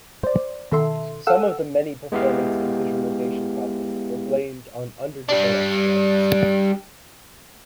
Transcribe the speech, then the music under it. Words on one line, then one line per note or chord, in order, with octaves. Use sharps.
Some of the many performance and visualization problems were blamed on underdeveloped drivers.
C5 D5
B2 D#3 A4 E5 C6
A4 F5 F#5 E6
G#3 B3 E4 G4 F5
G3 D4